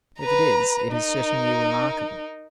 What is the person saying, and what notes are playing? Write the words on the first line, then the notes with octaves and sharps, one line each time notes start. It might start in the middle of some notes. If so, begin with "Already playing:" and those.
If it is, it is certainly remarkable.
B4 A#5
D#4 A#4